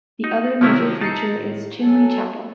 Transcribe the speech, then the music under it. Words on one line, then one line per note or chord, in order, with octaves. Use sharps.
The other major feature is Chinley Chapel.
D#4
C3 D#3 F3 F#3 C#4 E4
D#4 E5 A5 A#5 A6 C7 C#7
A2
F#3 A4 G#5